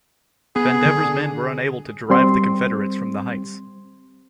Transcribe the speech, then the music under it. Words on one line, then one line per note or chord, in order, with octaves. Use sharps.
Vandever's men were unable to drive the Confederates from the heights.
B3 G#4
D3
G3 C4 C6